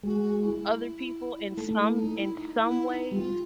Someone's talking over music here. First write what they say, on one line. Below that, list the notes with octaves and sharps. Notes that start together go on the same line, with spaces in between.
other people in some in some ways
G#3 F#4
E4
A3 D#4
E4
D#4
E4
D#4
E4
D#4
G3 F4